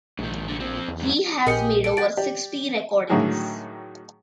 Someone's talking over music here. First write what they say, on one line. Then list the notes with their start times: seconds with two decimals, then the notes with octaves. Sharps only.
He has made over sixty recordings.
0.19 A#1 G#2 D#3
0.48 C2 D3
0.60 F3 C4
0.88 E2
1.01 G#2 F#3
1.47 A#1 G4 G#4 A#4 D#5 C#7
1.84 A4 D7
1.97 F#4 G4 A6 D7
2.17 G4 D5
3.09 A2 D3 D#3 F#3 F#4 G#4